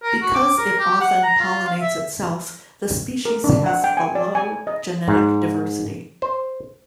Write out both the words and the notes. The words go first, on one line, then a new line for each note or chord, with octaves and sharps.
Because it often pollinates itself, the species has a low genetic diversity.
A#4
F#4
D6
A#4
G4
F#5
A#5
F4
F5
E5
A#4
D4
F#5
G5
G#5
D5
G#5
D#5
G#2
C5